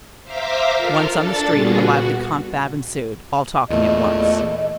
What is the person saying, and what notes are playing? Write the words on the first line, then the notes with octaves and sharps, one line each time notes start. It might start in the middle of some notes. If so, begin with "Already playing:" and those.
Once on the street a lively confab ensued, all talking at once.
C5 E5 F5 A#5 D6 B6
F4 A4 A#4 F5
D4 A4 A6
A#2 G3 B3 F4 F#4 G#4
F#4
E2 A#2 A3 D#5